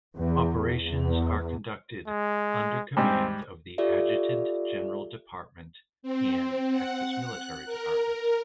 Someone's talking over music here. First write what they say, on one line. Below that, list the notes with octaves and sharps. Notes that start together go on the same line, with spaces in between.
Operations are conducted under command of the Adjutant General Department and Texas Military Department.
E2
E2
G#3
G#2 G3 C4
F4 G4 A4 D5 E5
C4
F#5
F#6
A#4